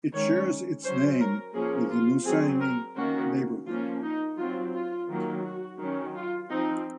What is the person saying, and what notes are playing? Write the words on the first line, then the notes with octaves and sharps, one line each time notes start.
It shares its name with the Mouassine neighbourhood.
D#3 G#3 C#4 C#5
F#3 C#4 C5
A#4
F3 A#3 C#4 G#4
F4
F#3 C4 G#4
A#4
D#3 A#3 C#4 F#4
F3 A#3 C#4 F4
D#4
F#3 C4 F4
F4
D#3 F#3 A#3
F#4
D#3 F#3 C#4
F4
F3 C4 D#4